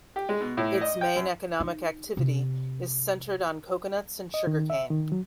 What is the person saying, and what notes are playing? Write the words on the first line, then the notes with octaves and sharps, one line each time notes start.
Its main economic activity is centered on coconuts and sugarcane.
G4
G#3
B2
A2
D#5
G5
F#2
D#4
C3
D#5
D#3
E5
D#3
F#3